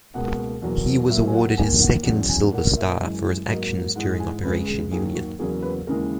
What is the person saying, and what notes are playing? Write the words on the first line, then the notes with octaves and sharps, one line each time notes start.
He was awarded his second Silver Star for his actions during Operation Union.
C#2 B2 A#3 F#5
E2 B2 F#3 A#3
A#2 F#3 A#3 E5
G#5
F#5
F#5
D#2 D#3 A#3 G#5
F#5
E2 C#3 F#3 F#5
G#5
A#2 A#3 F#5
E5
F#2 E3 G#3 D#5
G#2 F#3 A#3 D#5
G#2 E3 G#3 F#5
G#5
C#2 C#3 G#3 B4
G#4
D#2 D#3 F#3 A#3 G#4
F#4
E2 C#3 F#3 A#3 G#4
B4
D#2 C#3 E3 G#3 A#4